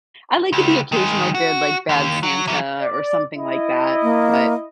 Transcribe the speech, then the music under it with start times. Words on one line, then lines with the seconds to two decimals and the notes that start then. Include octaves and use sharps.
I like a the occasional good, like, Bad Santa, or something like that, but
0.53 C#2
0.92 D#3 G#3
1.35 F#4
1.89 D#2
2.23 F#3
2.48 E3 F#3
2.81 D5
3.37 E4 D#5
4.03 A#3